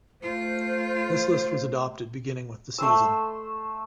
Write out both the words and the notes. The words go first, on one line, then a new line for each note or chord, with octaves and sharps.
This list was adopted beginning with the season.
A3 F4 C5
A3 C6 E6